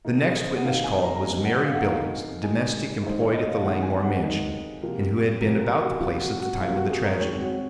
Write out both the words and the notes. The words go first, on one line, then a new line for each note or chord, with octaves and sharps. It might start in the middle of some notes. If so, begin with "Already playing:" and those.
The next witness called was Mary Billings, the domestic employed at the Langmore mansion, and who had been about the place at the time of the tragedy.
D#3 A#3 D#4
G#4
C5
F#5
D#3 A#3 D#4 F5
G#5
A#5
A#5
D#3 A#3 D#4 G#5
F#5
F5
F#5
D#3 A#3 D#4 F5
D#3 G#3 D#4 G#5
D#3 G#3 D#4 C5
C#5
D#5
F5
D#3 G#3 D#4 F#5
G#5
F#5
D#3 G#3 D#4
C3 F3 A#3
C3 F3 A#3 A#4
A#4
F#4
C3 F3 A#3 F4
F#4
F#4
C3 F3 A#3 F4
F#4
F#4
G#4
A#4
D#3 G#3 C4 C#5
F#4